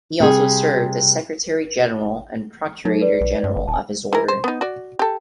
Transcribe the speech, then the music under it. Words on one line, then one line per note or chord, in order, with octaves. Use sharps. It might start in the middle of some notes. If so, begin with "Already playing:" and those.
He also served as secretary general and procurator general of his order.
C3 G3 G#4
F#3 D#4 A4
B4 D5
B1
G2
G1
D#1 G#5 A5
E3 E4 A#4
C5
B3 D#4
F#4 D5
G4 A4